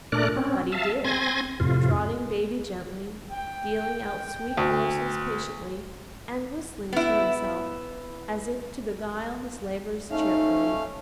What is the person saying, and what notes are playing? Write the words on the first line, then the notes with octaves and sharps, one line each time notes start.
But he did, trotting baby gently, dealing out sweet morsels patiently, and whistling to himself, as if to beguile his labors cheerfully.
A#2 A3 D4 A#4 D5 F#6
C4 C#4
E5 F5 A5
C4 G#5 C6 G#6 A#6
F2 A2 C3 F4
G5
D2
B3 E4
A3 C#4 D#4 F5